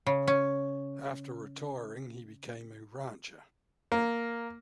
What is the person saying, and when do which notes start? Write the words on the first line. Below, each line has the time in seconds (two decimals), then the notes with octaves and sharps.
After retiring, he became a rancher.
0.07 C#3
0.27 C#4
3.92 A#3